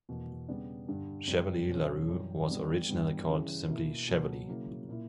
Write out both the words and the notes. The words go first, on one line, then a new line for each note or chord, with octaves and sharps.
Chevilly-Larue was originally called simply Chevilly.
E2 B2 A#3
C#3 G3 B3 D4
G2 D3 G3
F#2 C#3 G3
B2 F#3 C#4
F#2 E3 G3 C#4
D3 G3 B3 D4
G2 E3 G3 B3
C#3 E3 G3 C#4 E4
B2 A#3 E4
B2 F#3 A#3
C#3 F#3 A#3 E4
A#2 A#3 E4